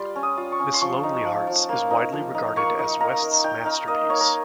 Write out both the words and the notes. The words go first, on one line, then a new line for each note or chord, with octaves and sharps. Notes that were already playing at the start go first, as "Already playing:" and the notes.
"Miss Lonelyhearts" is widely regarded as West's masterpiece.
Already playing: G3 F4 C6
C#4
D#6
F4
C#6
C#4
C6
F3 C#6
D#4
F3
F3
A#3
D#4
F3
D#4
A#3 C#6
D#4
A#3 A#5
A#3
D#4 G5
D#4 F5
A#3 D#5
A#3 C#5
A#4